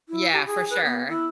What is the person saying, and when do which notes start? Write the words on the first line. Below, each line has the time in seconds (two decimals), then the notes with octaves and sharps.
Yeah, for sure.
0.09 E4
0.32 G4
0.46 G#4
0.70 B4
0.85 B3
1.08 E4